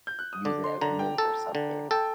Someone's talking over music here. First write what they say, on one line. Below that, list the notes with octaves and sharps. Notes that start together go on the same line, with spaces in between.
use it as a nook or something.
G6
F#6
D#6
D3 D6
C6
D3 A#5
G5
A4
D3
A4 G5